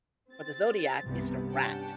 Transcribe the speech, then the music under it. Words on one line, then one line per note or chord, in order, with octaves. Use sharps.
for the zodiac is the rat.
C4 A6
C2 G2 C3 E3 G3 B3
C#4 D4 G4 F#5 G5 A5